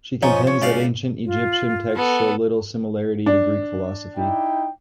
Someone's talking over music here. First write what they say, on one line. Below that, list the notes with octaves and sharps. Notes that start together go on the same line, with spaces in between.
She contends that ancient Egyptian texts show little similarity to Greek philosophy.
F3 C#4 D#4
C#4
C#2 D5 F5
F4
B3 A4
D4
D#4 E4 G5